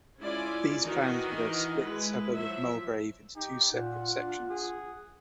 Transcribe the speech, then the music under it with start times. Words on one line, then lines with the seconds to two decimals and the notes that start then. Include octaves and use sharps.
These plans would have split the suburb of Mulgrave into two separate sections.
0.20 G#3 C#4 E4 F4 D5 G#5
0.82 D#3 E3 D#4 F#4 A#4 D#5
1.83 G#3 E4 B4
2.35 F3 F#3 E5
3.36 D#4 G4
3.73 A#2 F4 F#5
4.16 D4
4.50 G#4